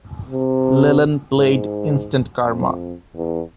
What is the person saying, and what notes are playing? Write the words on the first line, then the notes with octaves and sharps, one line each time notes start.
Lennon played Instant Karma!
C3
G#2
F2
E2